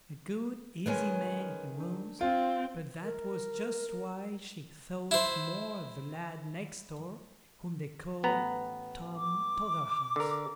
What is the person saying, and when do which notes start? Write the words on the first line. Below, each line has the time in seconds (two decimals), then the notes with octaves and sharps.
A good, easy man he was, but that was just why she thought more of the lad next door, whom they called 'Tom Totherhouse'.
0.86 D#3 G#3 C#4 B4 C#5 G#5
1.80 D4
2.21 C4 F4
3.04 A#4
5.11 E4 C5
8.23 A1 B3 A#5
9.16 D6
10.16 D3 A#4